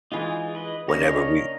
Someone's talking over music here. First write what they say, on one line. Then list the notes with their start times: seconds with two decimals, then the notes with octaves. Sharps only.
Whenever we
0.12 E3 G#3 D#4 F4 G#4
0.55 B4 D#5
0.89 C#3 A#3 D4 D#4 C#5 A#6